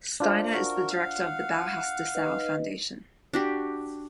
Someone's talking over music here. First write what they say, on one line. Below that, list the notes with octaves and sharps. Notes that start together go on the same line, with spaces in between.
Steiner is the director of the Bauhaus Dessau Foundation.
D4 F4 C5
F#4 A#4
F5 F#5
D#4 B4 D#5
D4 F#4 G4